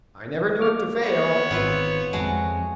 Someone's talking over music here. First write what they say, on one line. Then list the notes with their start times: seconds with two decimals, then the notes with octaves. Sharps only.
I never knew it to fail.
0.60 A#3 D6 F6
0.99 B3 C#5
1.51 G#1 C4 F4 B4
2.13 F2 G#3 A3 F#4